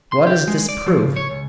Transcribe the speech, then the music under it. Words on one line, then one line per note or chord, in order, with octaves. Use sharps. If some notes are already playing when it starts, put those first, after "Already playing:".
What does this prove?
C6
G4
G#3
D5
F3
C#3
C#5
C#2